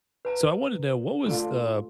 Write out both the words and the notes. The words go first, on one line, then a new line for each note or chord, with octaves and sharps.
So I want to know what was the
B4 A5 A#5
A3 D4 F4 A5